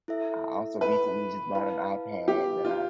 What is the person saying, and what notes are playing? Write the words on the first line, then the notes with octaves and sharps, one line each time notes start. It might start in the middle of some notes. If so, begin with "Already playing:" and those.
I also recently just bought an iPad that I,
E4 A4 E5
B4
E4 B4 F5 A5
G4
F4